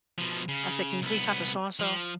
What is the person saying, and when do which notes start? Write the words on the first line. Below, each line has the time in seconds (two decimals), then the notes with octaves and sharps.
I said, "Can you reach out to so-and-so?"
0.18 B2 F3
0.49 C#3
1.02 C2 B3
1.80 F3